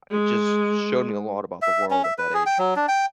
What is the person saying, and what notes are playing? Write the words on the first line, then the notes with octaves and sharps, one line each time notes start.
it just showed me a lot about the world at that age.
G#3
E5
C#4
E5
B4
G#4
G5
F#3
D4
G5